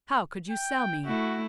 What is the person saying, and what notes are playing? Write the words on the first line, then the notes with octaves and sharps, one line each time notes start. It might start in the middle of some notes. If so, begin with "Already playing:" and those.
How could you sell me?
G5
A3 E4 F#4